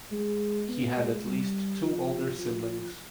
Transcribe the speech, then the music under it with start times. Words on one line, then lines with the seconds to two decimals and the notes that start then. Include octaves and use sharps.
He had at least two older siblings.
0.11 G#3
0.69 B3
0.97 G#3
1.25 G3
1.81 F3
2.38 F3